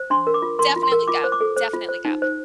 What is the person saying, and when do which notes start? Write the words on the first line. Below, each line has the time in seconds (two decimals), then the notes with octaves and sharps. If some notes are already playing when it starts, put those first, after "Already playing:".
Definitely go. Definitely go.
Already playing: C5
0.10 D4 C6
0.27 A#4
0.34 D6
0.42 F4
0.59 A#4 C6
0.76 F4
0.83 C6
0.92 A#4
1.08 F4 D6
1.24 C5
1.32 D6
1.41 A4
1.57 C5
1.73 F4
1.89 C5
2.05 D#4
2.22 C5